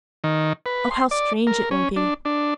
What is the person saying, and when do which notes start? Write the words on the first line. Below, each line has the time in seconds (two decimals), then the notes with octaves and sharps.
Oh, how strange it will be!
0.24 D#3
0.66 B4
0.91 C6
1.11 D5
1.47 A#4
1.71 C#4
1.96 D4
2.25 D4